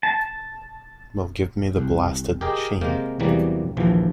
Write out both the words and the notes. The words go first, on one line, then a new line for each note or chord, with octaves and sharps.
Well, give me the blasted machine.
A5
C2
G4 G#4 A#4 D#5 G5
C3 G#3 A#3 A#4 G5
E2 C3 E3 F#3 G3 A#3
A#1 D#2 E3 F3